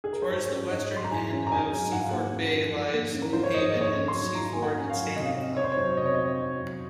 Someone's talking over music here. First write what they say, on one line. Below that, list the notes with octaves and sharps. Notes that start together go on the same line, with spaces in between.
Towards the western end of Seaford Bay lies Newhaven and Seaford Sailing Club.
G#4
A#4
C5
G#2 C#5
C#4
G#2 D#5
F#3
C6
A#5
G#2 G#5
C#4
A#5
G#2 G#5
F#3
G#2 F#5
F5
A#3 F#5
C#4
F3
G#2
A#3
C#4
A#4
F3 C5
C#5
G#2 D#5
A#3 D#5
C#5
C#4
C6
F#3
G#2 A#5
A#3 G#5
F#5
C#4
F5
F#3
C3 D#5
F5
C4 D#5
D#4 C#5
C5
C#5
F#3
C3 D#5
C#5
C4 D#5
D#4
F#3